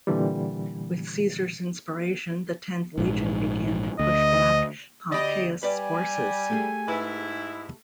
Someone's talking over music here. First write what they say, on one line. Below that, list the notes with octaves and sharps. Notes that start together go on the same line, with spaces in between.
With Caesar's inspiration the tenth legion began to push back Pompeius' forces.
A#2 D3 E3 G3
A#1 G#2
D2 D#5
D2 G4 D5 D#5 B5
G3 B4 D5 G#5
A3 G4 G#4
G#2 E4 B4